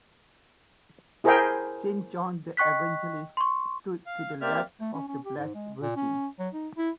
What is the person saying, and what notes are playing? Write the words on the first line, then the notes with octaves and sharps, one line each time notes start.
Saint John the Evangelist stood to the left of the Blessed Virgin.
E4 G#4 A#4 C5 E5 G5
D#5 G5 C#6 F#6 B6
C6 C#6
F5
A#3 C4 G4 D5 E5 F6
A3
C#4
C#4
G4
G#2
G#3
A#2
C#4
F#3
D#4
E4